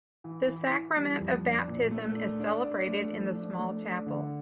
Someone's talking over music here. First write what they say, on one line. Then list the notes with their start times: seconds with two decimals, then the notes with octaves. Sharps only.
The sacrament of baptism is celebrated in the small chapel.
0.24 E3
0.48 E3
0.73 E3
0.96 G3
1.20 F2
1.44 D4
1.68 A#2
1.91 A3
2.16 D4
2.40 D4
2.63 D4
2.87 A3
3.12 F3
3.35 D4
3.58 A3
3.83 D4
4.07 D3